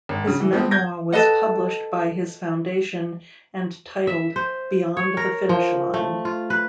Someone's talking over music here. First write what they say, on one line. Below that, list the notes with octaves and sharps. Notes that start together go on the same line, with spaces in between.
His memoir was published by his foundation and titled "Beyond the Finish Line".
G#1
C#3
E3
F3 B3 C4
G6 G#6 A#6
A4 B4 D#5 F#5
E5
C5
C#5
A#4
F3
A3
F4
B4